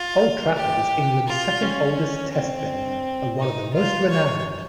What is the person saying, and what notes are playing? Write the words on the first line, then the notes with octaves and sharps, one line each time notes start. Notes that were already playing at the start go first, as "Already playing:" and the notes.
Old Trafford is England's second oldest Test venue and one of the most renowned.
Already playing: F4
G4
F4
C#4
C4
D#4
F4
C#5